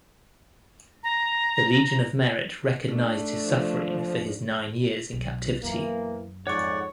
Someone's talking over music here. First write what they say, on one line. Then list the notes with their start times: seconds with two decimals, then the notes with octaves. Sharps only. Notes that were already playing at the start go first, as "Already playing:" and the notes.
The Legion of Merit recognized his suffering for his nine years in captivity.
1.03 A#5
2.89 A3 D4
3.42 F3
5.13 B1
5.63 F#2 B2 E3 A#3
6.47 F2 G#2 C#5 D5 F#5 C#6